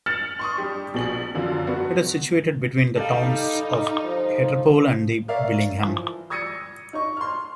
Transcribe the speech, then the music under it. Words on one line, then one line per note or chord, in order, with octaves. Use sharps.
It is situated between the towns of Hartlepool and Billingham.
F6 A6 C#7 E7 F#7
C6 C#6 D#6
G3 D4 G4
A#1 B2 G#4 F#7
F#2 D3 F3
G2 B3 F#4
G3 D#4 A4 F5
F3
A#4 C#5 D5 E5 F5
E3 F3
D#6 E6 G#6 A#6 C#7 D#7
D#4 D#5 C#6
C6 F6